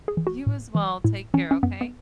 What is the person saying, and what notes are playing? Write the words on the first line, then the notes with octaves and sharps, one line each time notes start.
You as well. Take care, okay?
G#4
E3
F#4
A2
E3
A2 E4
E3 C#4
C#4
F#2 B3
B3